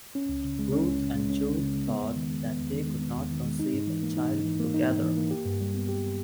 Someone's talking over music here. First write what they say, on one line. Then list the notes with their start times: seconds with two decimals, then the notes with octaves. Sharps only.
Ruth and Joe thought that they could not conceive a child together.
0.15 C#4
0.29 C#2
0.44 C#3
0.59 G#3
0.72 C#4
0.87 C#2
1.01 C#3
1.16 G#3
1.30 C#4
1.44 C#2
1.58 C#3
1.74 G#3
1.88 B3
2.01 E2
2.16 D#3
2.31 G#3
2.45 B3
2.59 E2
2.73 D#3
2.88 G#3
3.02 B3
3.16 E2
3.31 D#3
3.45 G#3
3.59 D#4
3.74 G#2
3.87 E3
4.03 A#3
4.17 D#4
4.31 G#2
4.45 E3
4.60 A#3
4.74 D#4
4.89 G#2
5.03 E3
5.18 A#3
5.31 G4
5.45 G2
5.61 G3
5.75 B3
5.89 G4